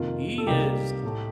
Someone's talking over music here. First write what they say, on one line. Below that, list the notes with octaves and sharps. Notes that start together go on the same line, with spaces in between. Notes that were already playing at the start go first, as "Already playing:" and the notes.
he is
Already playing: F2 C3 D#3 A#3 F4
A4
C2 C3 G3 A#3 D#4 G4
A2 A3